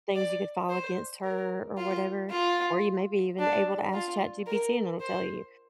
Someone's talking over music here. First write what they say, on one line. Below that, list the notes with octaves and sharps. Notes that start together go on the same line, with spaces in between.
things you could file against her or whatever, or you may be even able to ask ChatGPT, and it'll tell you.
D5
C5
A#4
F4
F4
D4
F4
A#4
C5